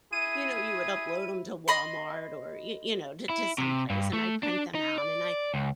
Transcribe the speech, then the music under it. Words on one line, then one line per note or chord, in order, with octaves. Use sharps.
you know, you would upload 'em to Walmart or, y you know, t to someplace, and I print them out and I
E4 G#4 D#7
D#5 B5 C6
E4
C3
G2
A3
D4
D#4
D5
C#2